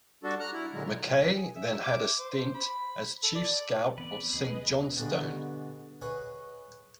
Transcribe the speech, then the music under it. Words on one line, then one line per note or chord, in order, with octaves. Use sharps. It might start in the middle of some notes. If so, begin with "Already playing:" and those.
Mackay then had a stint as chief scout of Saint Johnstone.
G3 D4 F#4 A4
A#5 F6 F#6
E4
A#2 D3 F#3 G#3
G#4
E5
D6
C5
B5
A4
D5
E3 B3 C4 B4 D5
D#2 C#3 B3 G#4 B4 D#5
G2 B2 D3 D#4 G#4 B5
G#4 B4 C#5 D#5 F#5